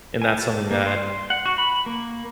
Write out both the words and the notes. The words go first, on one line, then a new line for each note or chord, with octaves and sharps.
And that's something that
G#5
A5
A#3
C6
F#5
F#4
B5
A#3